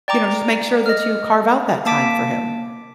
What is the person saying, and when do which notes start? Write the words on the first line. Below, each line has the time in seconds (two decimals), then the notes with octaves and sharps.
you know, just make sure that you carve out that time for him.
0.08 D5 G5 A#5 D6
0.86 D#5 F6
1.86 A#3 A5 D6 B6 D7